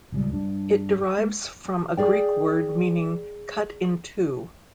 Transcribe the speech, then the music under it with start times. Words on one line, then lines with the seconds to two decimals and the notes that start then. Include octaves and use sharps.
It derives from a Greek word meaning "cut in two".
0.12 D1 C#2 G3
0.33 G2 D4
1.18 G#3
1.97 G#4 D5 G5